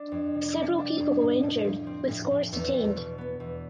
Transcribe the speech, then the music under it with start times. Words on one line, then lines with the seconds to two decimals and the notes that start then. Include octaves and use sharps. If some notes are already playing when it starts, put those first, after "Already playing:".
Several people were injured with scores detained.
Already playing: D4
0.12 F2
0.34 C3
0.56 G3
0.78 D4
1.00 F2
1.21 A2
1.43 A2
1.65 F3
1.87 C4
2.09 A2
2.31 A2
2.53 E2
2.74 E2
2.96 B2
3.18 B3
3.40 E2